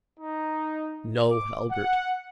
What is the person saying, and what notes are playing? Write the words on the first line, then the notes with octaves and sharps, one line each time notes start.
No, Halbert!
D#4
D6
F#5